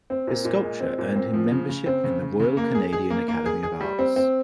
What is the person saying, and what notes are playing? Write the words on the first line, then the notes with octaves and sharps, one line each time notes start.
His sculpture earned him membership in the Royal Canadian Academy of Arts.
C4
A#2
A#2
G#3
C4
A#2
C4
F3
C#3
C#3
C4
C#3
C#3
C#3
A#3
G#4
G#4
A#3
A#3
G#4
G#4
G3
C4
C4